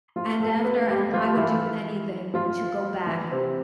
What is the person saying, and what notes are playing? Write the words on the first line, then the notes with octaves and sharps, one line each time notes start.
and after and I would do anything to go back.
F3 F4
A3 A4
B3 B4
G3 G4
F3 F4
E3 E4
F3 F4
E3 E4
C3 C4